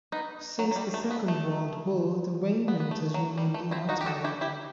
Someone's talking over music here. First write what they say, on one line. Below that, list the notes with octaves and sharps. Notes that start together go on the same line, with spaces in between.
Since the Second World War, the regiment has remained in Ottawa.
B3 D#4
F#3
F#3
G3
A3
B3
A3
B3
B3
A3
F#3
G3
A3
C4 E4
D#4 F#4
G4
F#4 A4
E4 G4
E4 G4